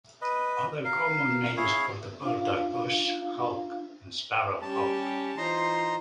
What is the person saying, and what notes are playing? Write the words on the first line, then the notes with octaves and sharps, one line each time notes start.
Other common names for the bird are bush hawk and sparrow hawk.
B4 D#5
A#4 F5
E4 G#4 C#5 F5
D4 F4 F5
G3 C#4 G4 A5
E3 D#4 F4 C5 A#5 C6